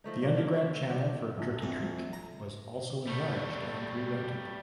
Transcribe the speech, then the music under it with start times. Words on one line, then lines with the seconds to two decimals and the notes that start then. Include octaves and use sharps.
The underground channel for Turkey Creek was also enlarged and rerouted.
0.04 D#3 F3 A3 D#4
0.22 G2 D4 A#4
0.34 D#3 A#3 E4 F4
0.53 F3 C#5 E5
0.75 C4
0.89 G3 G4 G5
1.37 A#1
1.62 F2
2.13 A#5
3.07 G3 A3